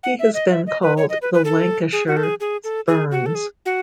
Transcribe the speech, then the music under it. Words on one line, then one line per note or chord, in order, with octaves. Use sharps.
He has been called the Lancashire Burns.
F#5
E5
D#5
E5
D#5
B4
C#5
D#5
B4
B4
A4
G#4
F#4
A4
G#4
G#4
A4
G#4
F#4
A4
G#4
F#4